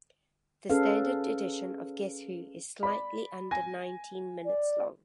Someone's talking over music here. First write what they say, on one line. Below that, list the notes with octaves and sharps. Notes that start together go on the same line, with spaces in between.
The standard edition of "Guess Who" is slightly under nineteen minutes long.
C#4 G#4 A4 B4 F5
D5 B5
G#5 A#6
D5